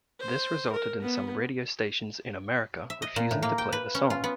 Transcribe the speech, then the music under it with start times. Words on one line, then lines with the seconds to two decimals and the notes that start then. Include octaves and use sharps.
This resulted in some radio stations in America refusing to play the song.
0.20 C5
0.72 A#4
1.02 B3
2.90 E5
3.02 D#5
3.16 A#2
3.31 A2
3.42 A#3
3.58 G5
3.72 B4
3.95 C#4
4.10 F4
4.24 B3